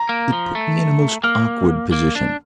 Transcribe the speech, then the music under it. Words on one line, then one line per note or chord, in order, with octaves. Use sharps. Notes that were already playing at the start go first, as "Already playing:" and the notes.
It put me in a most awkward position.
Already playing: A#5
A#3
F3
A3
A#3 F6
A#3
D4